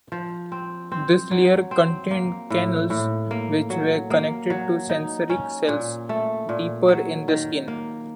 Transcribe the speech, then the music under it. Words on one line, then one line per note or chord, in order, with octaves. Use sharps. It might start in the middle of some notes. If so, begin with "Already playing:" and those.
This layer contained canals which were connected to sensory cells deeper in the skin.
F3
C4
C4
F#3
C4
A#3
A2
A2
A#3
F#3
A#3
F#3
D#4
C#4
A#2
A3
A#2
F#3
D#3
A#3